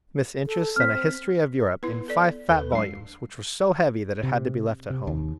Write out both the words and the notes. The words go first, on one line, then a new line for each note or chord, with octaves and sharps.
Miss Inches sent a "History of Europe" in five fat volumes, which was so heavy that it had to be left at home.
A4
C4 F6 B6
B3 E4 B4
A4 D5
D#2 A4 B4
F#3 G#3 D4 C7
C3
C3
D#2